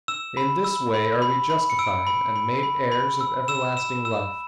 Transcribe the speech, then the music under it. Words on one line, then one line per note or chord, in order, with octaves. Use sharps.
In this way are we justified and made heirs of everlasting life.
E6 E7
B5
E6
B5
B5
B5
C#7
E6 D7
B5
B5
B5
B5
E6
E6 E7
E6 E7
E6 E7